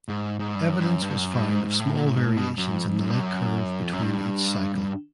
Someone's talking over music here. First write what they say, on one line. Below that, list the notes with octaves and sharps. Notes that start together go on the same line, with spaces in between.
Evidence was found of small variations in the light curve between each cycle.
G#2
G#2
G2
F#2
G2
F#2
G2
F#2
G2
G#2
G#2
A2
A#2
A2
G#2
A2
B2
F#2
F2
F2
F#2
G2
F#2
F2
F#2
G2
G2